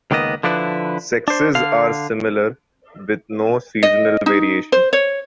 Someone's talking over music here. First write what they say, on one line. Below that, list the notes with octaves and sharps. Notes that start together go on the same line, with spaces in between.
Sexes are similar, with no seasonal variation.
C#2 D#3 A#3 B3 D#5
D3 F3 D4 E4 B4
D4 C5
D3 F5
D#5
D#4
C5
C#5